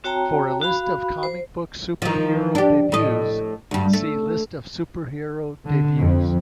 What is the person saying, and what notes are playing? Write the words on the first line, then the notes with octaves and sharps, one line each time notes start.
For a list of comic book superhero debuts, see List of superhero debuts.
C4 F#4 C#5 G5 A5 A#5
F#4 F5 B5
C5
D#3 F3
D4 G4
A2 D#5
D2 G2
A3
D3
F2